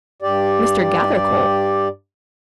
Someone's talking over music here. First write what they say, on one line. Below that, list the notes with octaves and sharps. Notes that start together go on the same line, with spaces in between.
"Mr. Gathercole!"
G2 G4 D5